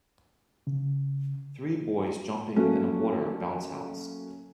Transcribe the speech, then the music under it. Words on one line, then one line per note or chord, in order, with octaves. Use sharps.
Three boys jumping in a water bounce house.
C#3
F#3 A3 A#3 C#4